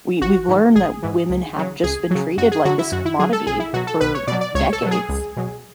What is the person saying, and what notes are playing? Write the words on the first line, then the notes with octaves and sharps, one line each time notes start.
we we've learned that women have just been treated like this commodity for decades.
A1 F#4
G#2 E3
A1 G#4
G#2 E3
C#2
C#3 F#3
C#2 G#4
C#3 F#3
F#2 F#4
G#4
D3 F#3 F#4
E4
F#2 F#4
E4
D3 F#3 G#4
A4
B1 G#4
E4
B2 F#3 F#4
A4
B1 B4
C#5
B2 F#3 D5
D5
C#2 C#5
A4
B2 F#3
G#4
C#2
B2 F#3